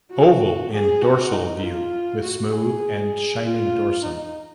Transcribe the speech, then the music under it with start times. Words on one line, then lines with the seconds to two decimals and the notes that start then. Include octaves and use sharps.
Oval in dorsal view with smooth and shining dorsum.
0.11 F#4
0.72 G#4
1.02 F#4
1.32 D#4
1.63 F4
2.23 F#4
2.53 G#4
3.44 F4
4.04 D#4